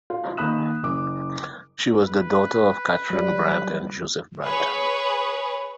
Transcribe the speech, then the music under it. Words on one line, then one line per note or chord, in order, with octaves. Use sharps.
She was the daughter of Catharine Brant and Joseph Brant.
F4
D#3 A#3 B5 D#6 F#6 E7
F#1 D6
B4
F#3 G3
G#4 B4 C#5 B5